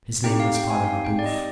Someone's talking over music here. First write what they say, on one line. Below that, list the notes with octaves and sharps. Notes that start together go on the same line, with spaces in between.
His name was Father Mabeuf.
C4 D#4 G4 G5
F5
G5
G#5
F5
G5
D5
D#5